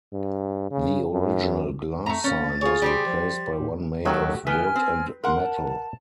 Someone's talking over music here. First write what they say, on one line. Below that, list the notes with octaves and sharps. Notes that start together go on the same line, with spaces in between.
The original glass sign was replaced by one made of wood and metal.
G2
C#3
F#2
F2 A3 E5 A#5
A#3 C#4 A6
F4 G#4 C#5
G3 G4 C5
F3
A2
D#2 D#3 F#3 A3 F#4 G4
E3 A3 B3 B4 G5 G#5 F6
C4
A#4 F#5 C6
A5